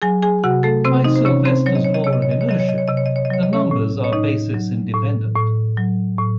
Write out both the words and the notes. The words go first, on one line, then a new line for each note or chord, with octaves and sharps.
By Sylvester's law of inertia, the numbers are basis independent.
F#3 G#4 G#5
G#4 G#5
C3 F#4 F#5
A3 A4
C3 C4 C5
D#4 D#5
C5
C3 C#4 C#5
C4 C5
F#3 C#5
D#5
C#5
D#5
C3 C#5
D#5
C#5
D#5
C#5
F#3 D#5
C#5
D#5
C#5
C3 D#5
C#5
D#5
C#5
D#5
F#3 C#5
D#5
C#4 C#5
A2
C#5
A2 D#4 D#5
F#3
A2
A2
F#3
A2